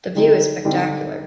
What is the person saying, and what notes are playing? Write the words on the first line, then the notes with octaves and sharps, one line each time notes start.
The view is spectacular.
D3 G3 C4 D#4 G4
D3 G3 C4 D#4 G4